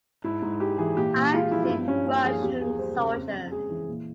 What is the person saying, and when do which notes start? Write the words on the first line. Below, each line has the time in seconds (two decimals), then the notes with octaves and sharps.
I've seen Russian soldiers.
0.24 G#2 E4
0.42 G#2
0.60 G#3 G4
0.78 E3 G#4
0.97 A#2 G4
1.15 A#2
1.34 G#3 F4
1.51 F3 E4
1.64 F4
1.69 G2 E4
1.88 G2 C#4
2.06 A#3 C#4
2.24 F3 G#4
2.43 E2 G4
2.61 A#3 G#4
2.79 G3 C5
2.98 C#3
3.15 F2
3.33 F2
3.52 G#3 G#4
3.70 E3
3.88 A#2